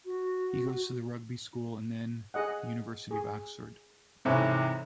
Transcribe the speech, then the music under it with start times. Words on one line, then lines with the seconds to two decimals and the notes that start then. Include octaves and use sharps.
He goes to the Rugby School and then the University of Oxford.
0.05 F#4
2.34 G#4 D#5 F#5
3.11 G#4
4.25 G#2 C3 E3 C4 A4 C#5